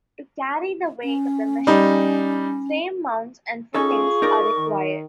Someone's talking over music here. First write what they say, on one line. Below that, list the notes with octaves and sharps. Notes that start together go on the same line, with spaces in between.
To carry the weight of the machine, "frame mounts" and "footings" are required.
C#4
G3 D#4
C#4 D#4 F4 G#4 A4 C#6
D#4 A#4 D5
D#3